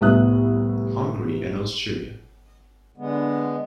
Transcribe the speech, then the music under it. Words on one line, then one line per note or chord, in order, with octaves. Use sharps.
Hungary and Austria.
C2 A2 B3 E5 D#6 F#6
D3 G#3 B3